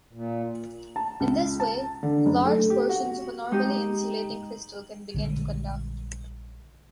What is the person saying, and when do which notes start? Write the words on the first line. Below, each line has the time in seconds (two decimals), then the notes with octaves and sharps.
In this way, large portions of a normally insulating crystal can begin to conduct.
0.13 A#2
0.96 A5
1.20 C#2
1.60 A5
2.03 D3
2.26 F#1
2.45 A3
2.70 G4
2.89 F#4
3.51 G#3 D#4 G4 D#6
5.14 A#1 D3 G3 G#3